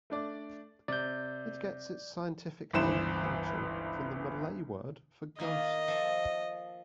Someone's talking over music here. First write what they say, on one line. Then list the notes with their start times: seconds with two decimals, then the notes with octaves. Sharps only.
It gets its scientific name "hantu" from the Malay word for ghost.
0.10 A3 D4 D5
0.88 C3 D5 G6
2.73 G1 C#2 E3 C5 E7
5.39 D#3 A#3 F4 D#5
5.88 F3 A4